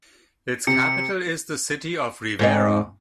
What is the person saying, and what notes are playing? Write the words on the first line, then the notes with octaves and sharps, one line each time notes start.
Its capital is the city of Rivera.
C3 C#7
G#2 C4 D#4